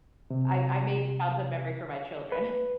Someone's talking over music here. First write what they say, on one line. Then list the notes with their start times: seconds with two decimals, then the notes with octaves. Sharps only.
I I made a childhood memory for my children.
0.30 C3
2.32 B4